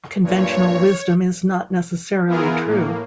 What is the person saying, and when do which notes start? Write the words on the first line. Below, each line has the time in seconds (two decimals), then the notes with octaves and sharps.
Conventional wisdom is not necessarily true.
0.22 G2 A#2 C#5
2.27 E3 B3 E4 F4 G#4 A#4
2.65 A2 A#3